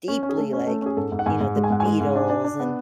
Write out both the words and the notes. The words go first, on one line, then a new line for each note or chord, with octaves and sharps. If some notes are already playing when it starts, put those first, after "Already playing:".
deeply, like, you know, the Beatles, and
C#4
C#4
G#4
A3 A4
C#4
A3
C#4 G#4
G#2 A4
G#2
F#5
G#2 G#5
G#2
G#3
G#5
G#2 F#5
G#5
G#3
G#2
D4
D4
D4
B3